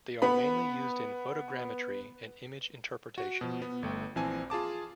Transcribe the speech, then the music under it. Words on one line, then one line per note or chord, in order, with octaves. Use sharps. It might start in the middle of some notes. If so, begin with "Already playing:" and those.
They are mainly used in photogrammetry and image interpretation.
B3 B5
F#4
B2 F3
B3
G1 A3 G5
A#1 E3 C4 G#5 A5
F4 G#4 A5 D6